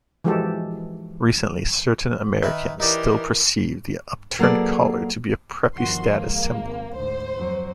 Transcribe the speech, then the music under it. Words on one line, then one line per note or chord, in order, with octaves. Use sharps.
Recently, certain Americans still perceive the upturned collar to be a "preppy" status symbol.
E3 F3 G#3 F#4 G4 A4
D#3 B4 E5
E3 D#4 G4 A#4 D5
F#3 A#3 G#4 A4 B4 D5
G1 D#3 F3 F#4 C6
G#3 A#3
G#1
D2 G#2 C5
F2 F#3